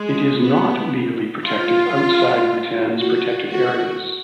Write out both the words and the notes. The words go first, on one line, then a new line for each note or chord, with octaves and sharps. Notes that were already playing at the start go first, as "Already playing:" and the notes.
It is not legally protected outside Bhutan's protected areas.
Already playing: G#3
B3
F4
F#4
F#4